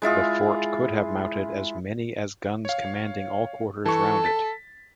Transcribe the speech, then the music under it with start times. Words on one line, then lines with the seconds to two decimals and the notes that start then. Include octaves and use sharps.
The fort could have mounted as many as guns commanding all quarters round it.
0.02 G#3 E4 F4 G#4
2.65 C#5 F5
3.86 E3 A4 C#6
4.25 A6 B6